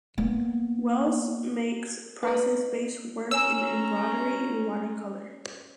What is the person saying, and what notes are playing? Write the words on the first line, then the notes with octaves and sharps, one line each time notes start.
Wells makes process based work in embroidery and watercolour.
A#3 B3
B4 D#5
C#4 C#5 G#5 A#5 E6